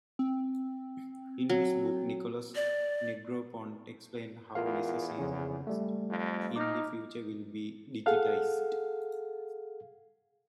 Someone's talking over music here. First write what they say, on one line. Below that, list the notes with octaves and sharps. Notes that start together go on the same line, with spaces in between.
In his book, Nicholas Negroponte explains how necessities in the future will be digitized.
C4
F#3
D5
E2 F4 A#4 F5
F2 C#3 C#4
G3 A3
F2
D#4 D6 F6
G#4 A4 F5 F#5